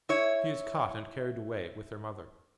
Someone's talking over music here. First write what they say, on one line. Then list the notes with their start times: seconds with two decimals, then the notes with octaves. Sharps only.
"She is caught and carried away--with her mother."
0.09 E4 C#5